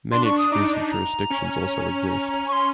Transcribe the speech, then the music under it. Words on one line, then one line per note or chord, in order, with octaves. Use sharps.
Many exclusive jurisdictions also exist.
D4 C6
C#6
D#6
D#4 D6
A#5
C#4
A#5
A#5
C#6
C6